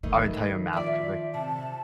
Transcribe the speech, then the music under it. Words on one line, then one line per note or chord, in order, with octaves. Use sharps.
our entire math curric
G2 D#3 A3 D#4
F3 D5 E5
C3 A5